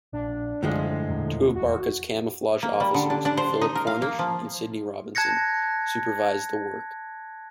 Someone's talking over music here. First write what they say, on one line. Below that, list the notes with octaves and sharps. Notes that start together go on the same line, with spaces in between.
Two of Barkas's camouflage officers, Phillip Cornish and Sidney Robinson, supervised the work.
A#1 D4
F#2 A2 D3 F3 G#3
E1 E2 A#2
F1 E2 F#4
A#3
G3
D3
D4
D4
C5
D#4
A#4
F5
A#3
F3
A5 F#6 G#6 A#6 C#7